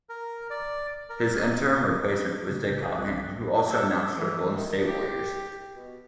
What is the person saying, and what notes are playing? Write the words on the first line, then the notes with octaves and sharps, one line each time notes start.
His interim replacement was Dick Callahan, who also announced for the Golden State Warriors.
A#4
D5
A#4
D#5
A2 C#3 A3
C2 A#4 G6
A4 F5 G5 G#5 D#6
B1 G3 C4 F4 F#6
A4
E3
D#3
G4
B2